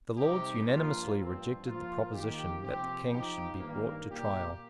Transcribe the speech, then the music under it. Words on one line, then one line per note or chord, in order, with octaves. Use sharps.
The Lords unanimously rejected the proposition that the King should be brought to trial.
C3 G3 C4 D#4 G4
G2 F3 A#3 F4
G2 F3 C4
F3 A#3 F4
D#3 A#3 G4
C3 F3 C4 G4
F3 D#4 G4
G2 D#3 A#3
A#2 A#3 G4